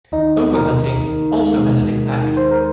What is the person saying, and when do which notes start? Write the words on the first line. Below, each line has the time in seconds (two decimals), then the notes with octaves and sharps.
Overhunting also has an impact.
0.12 D#2 D#4
0.54 D#3 A#4
0.96 D#2
1.38 G#3
1.81 D#2
2.23 D#3
2.37 C5
2.51 A#4